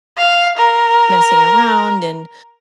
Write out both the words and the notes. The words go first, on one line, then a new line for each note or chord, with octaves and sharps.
messing around and
F5
A#4